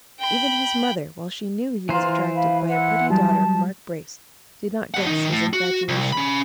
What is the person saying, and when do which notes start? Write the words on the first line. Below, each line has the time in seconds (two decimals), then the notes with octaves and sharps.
Even his mother, while she knew he was attracted by a pretty daughter of Mark Brace, did not guess his infatuation.
0.20 G5 B5
1.89 E3 F4 C5 A#5
2.35 F5 B5
2.68 E4 F#5
3.10 F#3 G3 A5
4.94 G3 F#5
5.06 D#3 D#4
5.31 A2
5.53 F#4
5.89 C2
6.13 C#4 B5